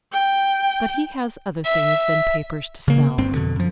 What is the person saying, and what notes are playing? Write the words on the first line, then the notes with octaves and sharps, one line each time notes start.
But he has other things than papers to sell.
G5
E5
C#3 A#3
G1 G2 C4
F2 B2 D3
F#2 F3